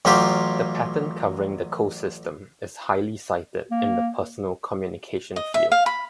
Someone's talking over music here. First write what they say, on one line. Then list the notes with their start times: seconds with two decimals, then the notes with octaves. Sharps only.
The patent covering the CoSystem is highly cited in the personal communication field.
0.05 A1 F#3 F4 G4
3.71 A#3
5.36 D#5
5.54 E5
5.72 F5
5.86 B5